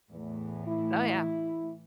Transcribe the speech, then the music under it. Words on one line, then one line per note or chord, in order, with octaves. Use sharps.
Oh, yeah.
E2 A2 E3
E4